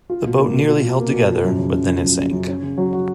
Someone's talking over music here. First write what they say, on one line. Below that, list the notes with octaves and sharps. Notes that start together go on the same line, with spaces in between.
The boat nearly held together, but then it sank.
F4
B2
A#3
B2
F4
B2
A#3
B2
F3
F#2
C#3
F#2
F3
F#2
C#3
F#2
C#4
C#3
F#3
F#4